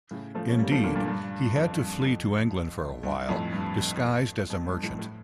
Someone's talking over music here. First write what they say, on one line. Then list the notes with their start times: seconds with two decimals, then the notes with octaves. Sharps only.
Indeed, he had to flee to England for a while, disguised as a merchant.
0.11 A2 C#3
0.35 F3 A3
0.49 C#4
0.59 G3 A#3
0.71 F3 A3
0.83 A#2 D3
0.95 G2 A#2
1.08 G2
1.57 F2
1.81 G2
2.05 F2
3.03 G2
3.28 F2 A2
3.52 G2
4.50 F2
4.67 G2
4.83 F2 A2
4.99 A2